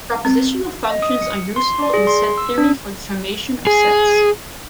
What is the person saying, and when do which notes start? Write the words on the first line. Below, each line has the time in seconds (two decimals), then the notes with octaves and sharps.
Propositional functions are useful in set theory for the formation of sets.
0.25 C4
0.90 D#5
1.02 D#6
1.22 C#7
1.56 C6
1.82 D5
1.94 G#4
2.07 C6
2.38 E6
2.58 D4
3.67 G#4